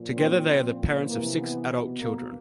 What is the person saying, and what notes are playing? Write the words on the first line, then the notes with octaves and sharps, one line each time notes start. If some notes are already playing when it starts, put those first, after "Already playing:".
Together they are the parents of six adult children.
Already playing: A#2 F3
C4
A#2 F3 C4
C3 E3 A#3
B3
B2
A#3